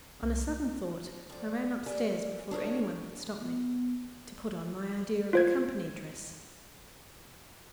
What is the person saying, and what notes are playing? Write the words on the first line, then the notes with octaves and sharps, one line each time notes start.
On a sudden thought I ran upstairs before any one could stop me, to put on my idea of a company dress.
C2
F2 D5
G4 A#4 D5 E5 G#5
D4 G#4 A#4 C#5
B3
F4 C5 G#6